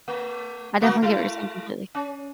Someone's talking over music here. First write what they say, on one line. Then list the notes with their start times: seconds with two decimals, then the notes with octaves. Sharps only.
I definitely get what you're saying completely.
0.08 A3
0.80 D3 A#3 F#4
1.02 G#3 E4
1.95 C#4